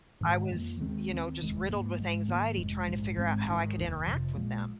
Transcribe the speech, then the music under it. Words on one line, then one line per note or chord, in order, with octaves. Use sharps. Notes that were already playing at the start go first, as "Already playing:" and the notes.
I was, you know, just riddled with anxiety trying to figure out how I could interact with them.
G#2 D#3 G#3
F2 F3 A#3
D#2 D#3 G#3 C4
D#2 D#3 C4
F1 D#2 D#3 G#3
G#2 F3 A#3
G#1 G#2 G#3
G#2 D#3 A#3
F1 F2 F3 G#3
A#1 G#2 F3
G#1 G#2 G#3 C4
G#1 G#2 D#3
F1 D#2 D#3
F1 F2 C3 F3
A#1 A#2 G#3